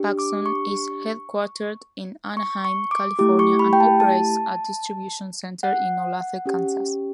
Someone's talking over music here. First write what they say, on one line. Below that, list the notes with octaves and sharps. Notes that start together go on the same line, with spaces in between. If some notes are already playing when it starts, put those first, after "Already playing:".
PacSun is headquartered in Anaheim, California and operates a distribution center in Olathe, Kansas.
Already playing: D4 G4
D6
C#6
C#6
C#6
D6
A3 E4 G4 D6
C#6
B5
G5
A5
A5
F#5
C#4 G4